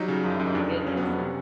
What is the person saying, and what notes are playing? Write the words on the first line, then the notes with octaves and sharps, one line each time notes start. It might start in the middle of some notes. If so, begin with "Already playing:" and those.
Oh my goodness.
Already playing: F#3 G3 D#4
C#3
F#2
F#2
D#4
F2 D4
C#3
F#3 C#4
B3
F2
B3
C3 C#4